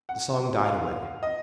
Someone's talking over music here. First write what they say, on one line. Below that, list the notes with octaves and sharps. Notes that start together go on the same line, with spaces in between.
The song died away.
F#5
F5
D#5